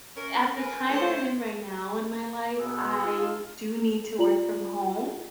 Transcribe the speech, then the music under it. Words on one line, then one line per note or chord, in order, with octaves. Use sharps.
at the time I'm in right now in my life, I do need to work from home,
C#4 A#4
G#4 A#4 B4
A2 C5 C#5
B2 B3 G#4 A4
D#4 F4
F4 D5 A#5 F#7